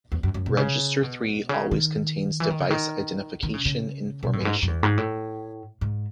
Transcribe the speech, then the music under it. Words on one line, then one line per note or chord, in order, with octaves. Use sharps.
Register three always contains device identification information.
E2
F#2
F#2
B2
C#3
B2
C#3
D#3
E3
D#3
C#3
D#3
D#3
C#3
C#3
B2
A2
F#2
G#2
F#2
E2
G#2
A2
G#2